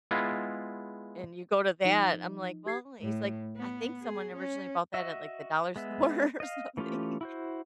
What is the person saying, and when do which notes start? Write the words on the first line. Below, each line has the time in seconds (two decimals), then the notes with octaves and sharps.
and you go to that." I'm like, "Well," he's like, "I think someone originally bought that at, like, the dollar store or something."
0.11 G#3 B3 E4 F4
1.84 F3 D#4
2.66 G4 G#6 C7
3.01 A2
3.56 B3
4.01 G#4
4.36 C#4
4.94 F#4 D#5 E5
5.76 G#3 B3 E5
6.40 D#5 F5
6.77 E3 A3 C#4 F4 G4
7.21 E4 F#4 C5